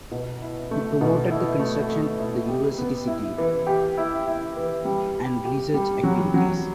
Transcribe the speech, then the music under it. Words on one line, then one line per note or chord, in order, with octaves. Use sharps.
He promoted the construction of the University City and research activities.
B2
E4
A3
B2
E4
A3
A3
E4
G4
B3
E4
E3
G4
E4
E4
E3
G3
G4
G4
G3
F#3
F#3